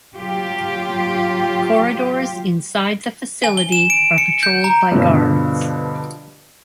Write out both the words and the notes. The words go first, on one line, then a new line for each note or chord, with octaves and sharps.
Corridors inside the facility are patrolled by guards.
F#3 F4 G4
G#5
G7
E7
D7
C#7
G6
A#5
G2 B2 D3 F3